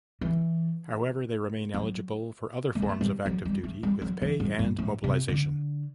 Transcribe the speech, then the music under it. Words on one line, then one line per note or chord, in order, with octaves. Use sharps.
However, they remain eligible for other forms of active duty with pay and mobilization.
E3
F#3
A3
B3
A3
G3
F#3
G3
A3
G3
F#3
E3
G2
G2
A2
C3
D3